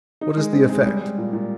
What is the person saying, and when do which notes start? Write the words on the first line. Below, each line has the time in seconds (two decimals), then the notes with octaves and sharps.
What is the effect?
0.21 D#4
0.37 G#3
0.53 C4
0.69 G#3
0.86 G3
1.02 G3
1.18 A#2
1.33 A#2